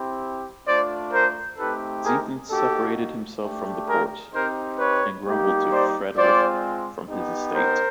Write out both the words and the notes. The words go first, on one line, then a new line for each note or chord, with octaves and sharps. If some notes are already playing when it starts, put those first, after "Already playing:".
Zieten separated himself from the court, and grumbled to Frederick from his estate.
Already playing: C4 E4 G4
A3 D4 F4 C5 D5
A#4 C5
A3 C4 D#4 G4 A4 B4
G#4 A#4
A#3 D#4 F#4 G4 A4
A3 D4 G4
G#4 A#4
C4 D#4 G4 A#4 C5
B4 C#5
G3 A#3 D#4 G4
C5 D5
G#3 C4 F4 C5 D5
B3 D#4 G4
A#4 C5